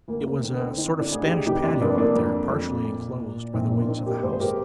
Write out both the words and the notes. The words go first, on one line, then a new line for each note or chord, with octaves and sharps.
It was a sort of Spanish patio out there, partially enclosed by the wings of the house.
D2 A#3
A#3
D3 C4
C4
D3 C4 D#4
D4 F4
D2 G#4
D#4 G4
F1 D#4 G4
D4 F4
F1 A#3 D4
A#3 D4
F2
F2
A#2
A#2
A#1 C4 D#4
A#3 D4
F4
A#2 C4 D#4
G4 A#4
G#1 G#4 C5
C5
G4 A#4